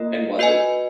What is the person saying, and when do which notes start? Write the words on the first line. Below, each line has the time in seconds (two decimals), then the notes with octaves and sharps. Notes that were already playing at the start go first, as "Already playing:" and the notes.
and was it?
Already playing: A#3 F4 A#4 D#5
0.39 F#4 B4 D#5 G#5